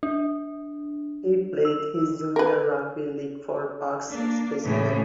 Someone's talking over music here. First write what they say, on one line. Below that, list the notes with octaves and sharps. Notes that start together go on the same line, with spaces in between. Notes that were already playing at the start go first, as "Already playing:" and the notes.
He played his junior rugby league for Parkes Spacemen.
D4
E6
A#4 B4
A#3 D4
A2 C#3 E3